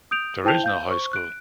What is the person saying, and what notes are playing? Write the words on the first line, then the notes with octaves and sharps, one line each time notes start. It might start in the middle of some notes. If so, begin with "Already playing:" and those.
There is no high school.
D#6 G6 D7 F7
E4 C5 G5 A5 G6 F7
F5 G6
C5 C#6
F#6 D7